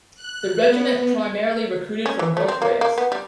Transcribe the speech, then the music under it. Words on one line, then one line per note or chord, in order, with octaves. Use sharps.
The regiment primarily recruited from North Wales.
F#6
B3
C#4
E3
A3
C4
A#3
A#3
B3
G3